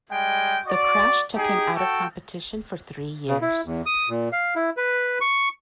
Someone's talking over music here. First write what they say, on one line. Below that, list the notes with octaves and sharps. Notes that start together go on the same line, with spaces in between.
The crash took him out of competition for three years.
G3 G#3 G5
F#4 D5
D#4 G4 G#4
F#4 A4 G5
C#3
E4
E2
D#6
A#2
F5
E4
B4
C#6